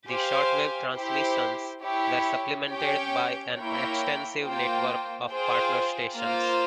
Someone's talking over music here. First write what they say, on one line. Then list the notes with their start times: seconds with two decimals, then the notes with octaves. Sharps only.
The shortwave transmissions were supplemented by an extensive network of partner stations.
0.08 G4 C5 F5 G#5
0.95 E4 G4 C5
1.81 E4 G4 C#5
2.67 C#4 G4 C#5 G5
3.55 A#3 E4 A#4 C#5 G5
4.42 A#3 F4 C5 G5
5.29 F4 G#4 C5 G5
6.15 A#3 F4 C5 F5